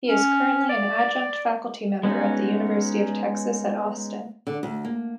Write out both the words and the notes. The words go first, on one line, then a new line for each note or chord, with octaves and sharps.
He is currently an adjunct faculty member at The University of Texas at Austin.
C#4
D5
G#3 B3 C#4 D#4 F#4
D3
D2
A#3